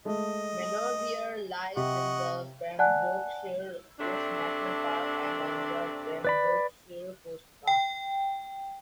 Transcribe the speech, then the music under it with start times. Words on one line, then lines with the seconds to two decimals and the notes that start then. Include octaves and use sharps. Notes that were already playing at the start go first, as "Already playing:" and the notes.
Manorbier lies in the Pembrokeshire Coast National Park and on the Pembrokeshire Coast Path.
0.05 G#3 A3 D#5
1.77 C3 D#5 F#5 C#6
2.79 D5 F#5 G#5 A5 F#6
3.99 C3 A3 D4
6.25 B4 D5 B5
7.67 G5